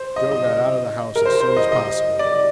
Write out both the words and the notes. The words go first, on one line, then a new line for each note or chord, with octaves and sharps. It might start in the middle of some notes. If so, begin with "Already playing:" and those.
Joe got out of the house as soon as possible.
Already playing: C5
D#5
D#5
A#4
C5
C5
D#5
D#5
D5